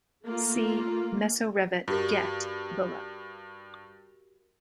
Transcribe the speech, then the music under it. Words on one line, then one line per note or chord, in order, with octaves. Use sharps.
See "Mesorevet get" below.
A3 A#3 F4
G2 F#4 G4 A#4